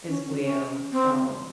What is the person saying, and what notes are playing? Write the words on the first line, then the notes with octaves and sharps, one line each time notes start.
as well, so
C#4
C#4
C#4
C4